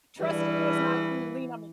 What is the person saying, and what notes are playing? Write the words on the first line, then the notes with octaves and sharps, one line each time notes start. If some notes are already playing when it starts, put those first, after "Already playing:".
trust you is not "can you lean on me?"
E2 G2 E3 G3